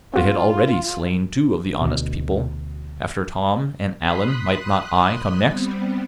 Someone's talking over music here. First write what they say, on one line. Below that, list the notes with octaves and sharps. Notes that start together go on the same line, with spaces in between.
They had already slain two of the honest people; after Tom and Alan, might not I come next?
C4 F4 F#4
D2 B2
B5 C6 D#6 F#6 B6
G3 B3 C4